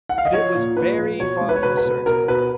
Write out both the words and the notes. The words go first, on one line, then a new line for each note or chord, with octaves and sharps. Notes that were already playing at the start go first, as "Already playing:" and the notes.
But it was very far from certain.
F#5
F5
D#5
F3 C#5
A#2
A#2 B4
F3
B2 C#5
G#3
B4
C#5
B2 B4
B4
B2
B2 A#4
B2 B4